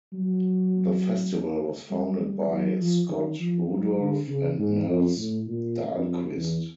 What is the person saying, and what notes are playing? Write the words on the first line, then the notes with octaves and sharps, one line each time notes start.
The festival was founded by Scott Rudolph and Nels Dahlquist.
F#3
G3
G3
F#3
F3
D#3
F3
F#3
D3
C#3
G#2
F2
A2
A#2
F2
E2